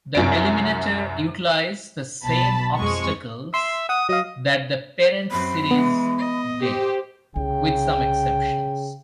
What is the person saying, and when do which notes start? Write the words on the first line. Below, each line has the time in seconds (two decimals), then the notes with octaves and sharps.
The Eliminator utilized the same obstacles that the parent series did, with some exceptions.
0.15 C2 F#2 D7
2.25 B1 B2 A5 B5
2.77 F2 G#3 C#6
3.54 E5 C6
3.89 F#5 D#6
4.09 F#3 D#5 F5
5.31 F#2 C4 B5
5.71 E3 G#3 B3
6.18 D#5
6.62 G4 C5
7.36 C2 C#3 G5